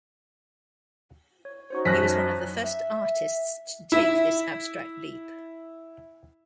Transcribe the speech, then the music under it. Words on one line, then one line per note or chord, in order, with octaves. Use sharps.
He was one of the first artists to take this abstract leap.
C#5
C#4 D#4 F#4 C5 C#5 C#6
F#2 C5 G#5 A5 F#6 A#6 B6
E5
E4 E5